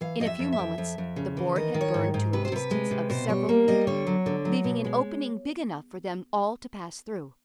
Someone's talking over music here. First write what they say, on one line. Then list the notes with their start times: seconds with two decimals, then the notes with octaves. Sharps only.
In a few moments the board had burned to a distance of several feet, leaving an opening big enough for them all to pass through.
0.01 E3 F5
0.20 F2 D#5
0.26 E5
0.39 F2
0.52 E5
0.59 F2
0.78 F2
0.98 F2
1.16 C#3
1.37 E3
1.56 D#3 D#5
1.74 D#3
1.81 C#5
1.94 G#2
2.14 G#2
2.33 C3 B4
2.45 C5
2.52 C3 B4
2.71 G#3
2.91 C3
3.10 B2 C5
3.29 G3 C#5
3.49 A#3
3.68 G3 D#5
3.87 D3 C#5
4.07 F#3
4.26 D3
4.45 F#3
4.64 B2
4.84 G#3